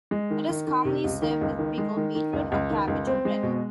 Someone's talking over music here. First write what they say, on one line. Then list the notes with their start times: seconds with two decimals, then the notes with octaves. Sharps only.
It is commonly served with pickled beetroot or cabbage and bread.
0.11 G#3
0.30 D#3
0.49 D#3
0.67 D#3
0.85 C3
1.04 C#2
1.22 D#3
1.41 C#2
1.59 D#3
1.78 G#3
1.97 D#3
2.15 D#3
2.33 C#2
2.52 C#2
2.70 D#3
2.88 C#2
3.07 C4
3.25 G#3
3.43 B2